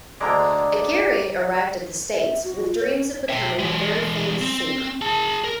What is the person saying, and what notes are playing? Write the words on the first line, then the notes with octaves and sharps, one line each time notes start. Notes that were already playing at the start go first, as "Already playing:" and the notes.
Aguirre arrived at the States with dreams of becoming a very famous singer.
D2 D3 G#3 D5 A#5 G#6
E5
F#4
F4
C#5
E5 G5
E3 G#3
C4
G#4 A5
A#4